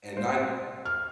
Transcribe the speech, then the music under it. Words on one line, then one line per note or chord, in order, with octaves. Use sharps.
And ni
C5
F6